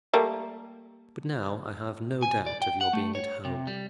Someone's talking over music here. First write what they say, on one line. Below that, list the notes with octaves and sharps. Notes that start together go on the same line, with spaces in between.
But now I have no doubt of your being at home.
G3 A3 A#3
G#5
D5
G5
F#5
A3
C#5
C3
G3